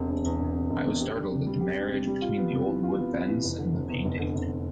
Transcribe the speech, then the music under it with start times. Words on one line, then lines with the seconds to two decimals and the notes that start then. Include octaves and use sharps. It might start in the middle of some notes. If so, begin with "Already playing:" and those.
I was startled at the marriage between the old wood fence and the painting.
Already playing: E1 C3
0.10 E1
0.25 E2
0.41 E1
0.55 C3
0.70 E1
0.85 E2
1.00 G4
1.15 D4
1.31 C3
1.47 G3
1.61 G4
1.77 D4
1.91 C3
2.07 G3
2.22 F4
2.38 B3
2.52 F2
2.67 E3
2.83 F4
2.98 B3
3.13 F2
3.28 E3
3.44 F1
3.58 D3
3.74 F1
3.89 E2
4.05 F1
4.19 D3
4.35 F1